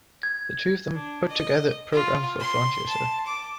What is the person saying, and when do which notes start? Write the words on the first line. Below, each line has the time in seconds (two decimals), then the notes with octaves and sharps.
The two of them put together a program for a frontier show.
0.23 G#6
0.94 D4
1.29 D#5
1.92 F4
2.39 C6
2.88 A5
3.26 D6